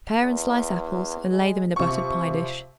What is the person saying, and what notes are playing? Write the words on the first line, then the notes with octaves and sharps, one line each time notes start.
Pare and slice apples and lay them in a buttered pie-dish.
E2
G#3
C3 F3 C#6